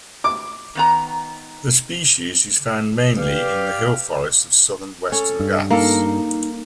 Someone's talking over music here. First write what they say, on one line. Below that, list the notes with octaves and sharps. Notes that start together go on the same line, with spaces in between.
The species is found mainly in the hill forests of the southern Western Ghats.
D6
D#3 B3 A#5
G4 B4 D5 F5
C#4 A4
G2
A#3 D#4 A4 A#4